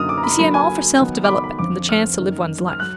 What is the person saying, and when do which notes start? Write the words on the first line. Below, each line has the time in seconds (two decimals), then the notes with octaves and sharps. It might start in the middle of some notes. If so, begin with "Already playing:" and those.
You see I'm all for self-development and the chance to live one's life.
Already playing: F#2 D3 F#3 A#3 D#4 D#6 F6
0.09 D6
0.18 A#5
0.23 B5
0.39 D3 F#3 A#3 B5
0.54 G#5
0.98 D#3 F#3 B3 D#4
1.24 D6
1.29 B5
1.44 B5
1.59 F2 D3 F3 D6
1.89 F6
2.20 F#2 D#3 A#3 D#4
2.68 F6
2.80 F#3 F#6